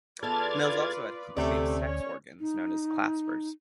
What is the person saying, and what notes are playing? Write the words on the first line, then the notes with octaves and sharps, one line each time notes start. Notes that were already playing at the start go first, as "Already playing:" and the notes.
Males also had hook-shaped sex organs, known as claspers.
E2 F4 A4 B4 D5 F6 G#6 A6
D2 C3 A3 C#4 D5
C#4 C#5
D#4